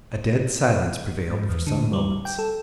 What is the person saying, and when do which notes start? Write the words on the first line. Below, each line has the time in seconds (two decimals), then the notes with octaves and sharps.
A dead silence prevailed for some moments.
1.30 G#2
1.49 E2
1.67 D3
1.93 G3
2.25 G5
2.39 A4